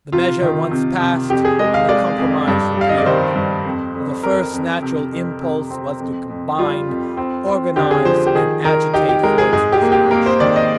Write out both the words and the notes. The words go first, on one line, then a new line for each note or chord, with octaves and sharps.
The measure once passed, and the Compromise repealed, the first natural impulse was to combine, organize, and agitate for its restoration.
C3 F4
D#3
C3
C3
F2 G4
G#4
G#3 D#5
F5
G#3 D5
F2
G2
G3 F5
D#5
D5
D#3 C5
G2
F2
F2
F2 A#4
F2
C3
F2
C3
C4
F2
F2
G3 F4
F2
C4
C4
D3 G4
G#4
F3 C5
G4
D#3 G#4
D#3 A#4
D#4 G4
G4
G#3 A#4
G#4
G#2 G#4
G4
A#3
G4
A#3 A#4
C5
D#3 D5
D#5